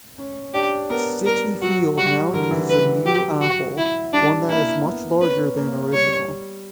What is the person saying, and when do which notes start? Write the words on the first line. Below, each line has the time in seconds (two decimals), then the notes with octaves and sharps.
Citi Field now uses a new apple, one that is much larger than original.
0.18 C#4
0.54 D4 G4
0.90 B3 A#4
1.26 G3 A#4
1.62 F#3 F#4
1.97 G3 F#4
2.33 D3 A#4
2.51 E3
2.69 B4
3.05 F#3 G4
3.41 F#4
3.77 E4
4.13 G3 D4
4.49 A#3 E4
4.86 B3
5.21 C#4 B4
5.57 A#3
5.93 G3 C#5